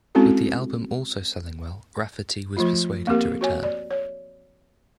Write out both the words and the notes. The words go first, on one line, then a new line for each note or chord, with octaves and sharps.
With the album also selling well, Rafferty was persuaded to return.
G#3 C4 C#4 E4 F#4 A4
F3 A3 F4
A#3 C4 G4 A#4
F#4 C#5 G#5
D5
C#5